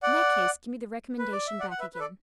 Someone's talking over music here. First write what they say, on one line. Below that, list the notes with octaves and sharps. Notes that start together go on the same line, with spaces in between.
"In that case give me the recommendation back again."
D5 F#5
B4
D5
E5
D5 F#5
F#5
B4 E5
B4
A4 D5